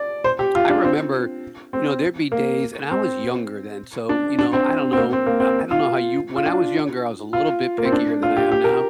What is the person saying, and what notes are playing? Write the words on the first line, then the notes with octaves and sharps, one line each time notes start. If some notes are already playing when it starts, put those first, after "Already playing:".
I remember, you know, there'd be days and I was younger then, so, you know, I don't know, uh, I don't know how you when I was younger, I was a little bit pickier than I am now,
Already playing: D5
C5
G4
F4
D4
C4
C4
A#3
C4
D4
D4
C4
C4
A#3
C4
A#3
C4
F4
F4
D4
F4
A#3
C4
D4
F4
G4
G4
A#4